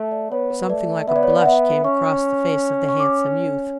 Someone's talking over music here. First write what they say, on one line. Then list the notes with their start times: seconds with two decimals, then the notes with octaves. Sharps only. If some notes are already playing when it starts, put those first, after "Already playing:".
Something like a blush came across the face of the handsome youth.
Already playing: A3
0.11 D5
0.31 B3 C#5
0.50 B4
0.69 A3 D5
1.08 B3 E5
1.16 D5
1.23 C#5
1.30 D5
1.41 F#5
1.45 B3 E5
1.84 C#4 C#6
2.89 C#6
3.00 D6